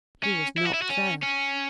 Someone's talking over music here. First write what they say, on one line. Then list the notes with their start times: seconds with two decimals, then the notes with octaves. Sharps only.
He was not there.
0.24 C#4
0.58 E4
0.65 F#4
0.74 E4
0.82 F#4
0.90 C#4
1.23 C#4